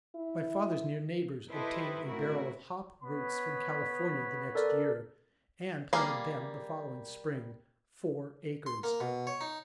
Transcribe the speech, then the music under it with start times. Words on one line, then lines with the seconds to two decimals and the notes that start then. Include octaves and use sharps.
My father's near neighbors obtained a barrel of hop roots from California the next year, and planted them the following spring--four acres.
0.15 E4
1.50 E4 G4 A4 B4 C5 D#5
2.06 A2 C#3 C4 E4 F#4 A#4
3.04 B3 C#5 B5
4.55 A4 A#4 D5
5.93 G3 A#3 G#4 F5
8.66 C6
8.83 A#3
9.00 B2
9.27 C#5
9.41 D#4